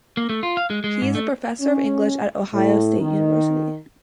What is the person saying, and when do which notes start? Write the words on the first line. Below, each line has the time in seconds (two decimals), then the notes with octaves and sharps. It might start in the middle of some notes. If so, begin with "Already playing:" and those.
He is professor of English at Idaho State University.
0.17 A#3
0.29 A3
0.43 F4
0.57 F5
0.70 G#3
0.84 G#3
1.02 G#2
1.15 A3
1.61 C#4
2.53 A2
3.00 D#3